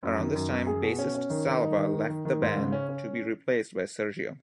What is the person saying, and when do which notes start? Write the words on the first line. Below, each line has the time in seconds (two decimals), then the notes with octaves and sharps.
Around this time bassist Salva left the band, to be replaced by Sergio.
0.03 F#2
0.19 D#3
0.35 F#2
0.50 F#2
0.67 G#4
0.83 B2
0.99 C#4
1.15 C#4
1.30 D#3
1.46 D#3
1.62 D#4
1.77 D#3
1.93 D#3
2.09 D#3
2.25 D#3
2.42 G#2
2.57 C#3
2.72 C#4
2.89 C#4